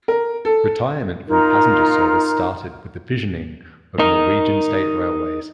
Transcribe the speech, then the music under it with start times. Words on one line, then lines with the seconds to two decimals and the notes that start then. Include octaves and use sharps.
Retirement from passenger service started with the fissioning of Norwegian State Railways.
0.08 A#4
0.45 A4
1.27 D#4 F4 A#4
3.99 D#4 A#4